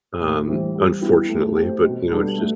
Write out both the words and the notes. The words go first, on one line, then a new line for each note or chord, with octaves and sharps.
um, unfortunately, but, you know, it's just
A2
E3 G3 C4 E4
G3
B3 E4 G4
A3
C4 G4
B2
G3 B3 D4 A4
A3